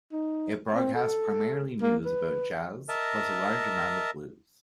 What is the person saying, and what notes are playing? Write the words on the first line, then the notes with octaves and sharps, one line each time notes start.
It broadcasts primarily news and jazz, plus a large amount of blues.
D#4
C4
A4
A#3
B4
A#4 D#5 E5 A5